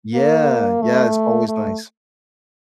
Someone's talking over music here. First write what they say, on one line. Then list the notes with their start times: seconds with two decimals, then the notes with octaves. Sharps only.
Yeah, yeah it's always nice.
0.14 A#3
0.82 A3
1.48 A3